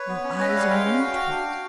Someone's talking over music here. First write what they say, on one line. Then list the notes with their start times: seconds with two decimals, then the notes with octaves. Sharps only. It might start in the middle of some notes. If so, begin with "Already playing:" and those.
Your eyes are new to it.
Already playing: B4 C#5
0.09 B3
0.24 C#4
0.39 C#4 D#5
0.49 E5
0.54 G3 F5
0.62 F#5
0.70 G#3 F5 G5
0.85 C#4
1.00 F#4
1.15 F#4
1.31 D4
1.45 F#4